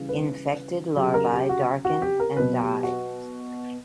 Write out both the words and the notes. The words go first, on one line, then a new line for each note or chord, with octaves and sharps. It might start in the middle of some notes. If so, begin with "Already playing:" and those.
Infected larvae darken and die.
Already playing: C#3 E3 G3
B4
C#3 F#3 G4
A#4
G4
F#4
F#4
G4
A#4
B2 F#3 B4
G4
F#4